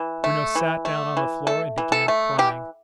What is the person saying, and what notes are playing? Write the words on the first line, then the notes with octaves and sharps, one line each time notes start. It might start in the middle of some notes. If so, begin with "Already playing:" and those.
Bruno sat down on the floor and began crying.
Already playing: E3
A3
E3
A3
E3
A3 A4
E3
A4
A3
E3 G4